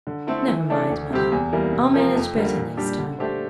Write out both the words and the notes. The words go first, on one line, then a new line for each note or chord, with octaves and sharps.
'Never mind, Mother; I'll manage better next time.'
D3
A3 C4 E4 A4
E3
A3 D4 A4 D5
D2
C3 G3 C4 G4
E2
E3 G3 A#3
C3
F3 A#3 F4 A#4
F2
D3 G3 A#3
A#2
G3 D4 G4
D3
A3 D4 G4 C5